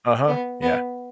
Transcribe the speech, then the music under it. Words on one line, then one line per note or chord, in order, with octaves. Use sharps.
Uh-huh. Yeah.
B3
B3